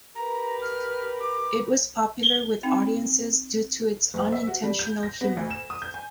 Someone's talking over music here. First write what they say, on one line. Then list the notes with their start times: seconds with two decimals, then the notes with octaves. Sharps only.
It was popular with audiences due to its unintentional humour.
0.15 G4 A#4 B4 A#5
0.62 F6
1.20 D6
2.63 C4 D#4
4.14 F#1
4.32 E5
4.47 F#4
4.63 G3
4.79 G6
5.03 A#6
5.21 B3
5.37 D2
5.50 E7
5.70 D#6
5.82 G6
5.94 G#5